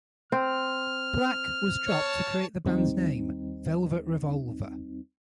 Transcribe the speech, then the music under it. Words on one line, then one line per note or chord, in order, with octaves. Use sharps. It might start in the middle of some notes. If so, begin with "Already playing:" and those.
"Black" was dropped to create the band's name, Velvet Revolver.
C4 F6
C#5 A5
D#2 G3 C4 D#4